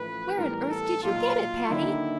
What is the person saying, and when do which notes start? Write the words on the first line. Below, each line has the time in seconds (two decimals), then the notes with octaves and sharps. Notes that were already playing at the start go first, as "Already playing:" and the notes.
"Where on earth did you get it, Patty?"
Already playing: A1 A2 F3 A3 B4
0.38 A2 E3 G3 B3 A#4
0.71 A4
1.03 B1 A#2 F#3 F4
1.68 D#2 D3 F#3 A#3 D#4 E4